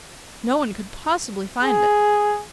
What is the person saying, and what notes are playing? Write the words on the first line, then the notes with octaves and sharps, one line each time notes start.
No one could possibly find it.
G#4